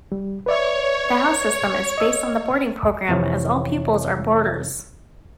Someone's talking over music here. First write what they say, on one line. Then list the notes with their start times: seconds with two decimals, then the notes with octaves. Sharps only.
The house system is based on the boarding programme as all pupils are boarders.
0.12 G3
0.46 B4 C#5 D5 E5
1.98 D#5 E6
3.09 F2 C3 E3 E4 C#5